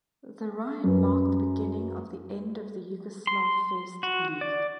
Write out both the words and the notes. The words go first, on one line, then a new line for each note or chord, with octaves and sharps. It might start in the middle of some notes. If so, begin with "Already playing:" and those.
The riot marked the beginning of the end for the Yugoslav First League.
F#2 B4
C6
F#4
D5